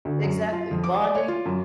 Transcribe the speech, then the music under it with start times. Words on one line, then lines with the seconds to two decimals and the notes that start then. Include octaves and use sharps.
Exactly, bonding
0.05 D2
0.23 F#2
0.52 F4
0.71 F2
0.84 D6
0.99 D5
1.15 C#5
1.28 F4
1.46 F#2